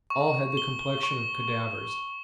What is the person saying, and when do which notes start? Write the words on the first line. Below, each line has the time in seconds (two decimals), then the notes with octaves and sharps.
All had the complexion of cadavers.
0.10 C#6
0.57 G7
1.03 C#6